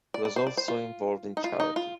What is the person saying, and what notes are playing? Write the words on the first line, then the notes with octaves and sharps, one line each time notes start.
He was also involved in charity.
D5
D5
C5
D5
C5
F4
D#4
F4
D#4
F4